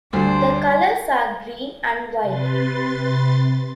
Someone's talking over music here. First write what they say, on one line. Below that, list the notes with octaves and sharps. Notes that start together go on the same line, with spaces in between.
The colors are green and white.
D2 G3 D4 C5 D5 C6
C3 B4 C6 A6